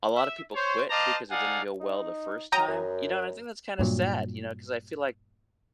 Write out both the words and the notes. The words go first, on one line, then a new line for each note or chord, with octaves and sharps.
a lot of people quit because it didn't go well the first time. You know, and I think that's kinda sad, you know, 'cause I feel like
E5
C5 C#5
C5 D#5 F5 A5 A#5 D6
D#4 A4 D5 F5 F#5 G#5
D#4
F#3 G5 A#5 D#6
F#2
G2 A#2 F#3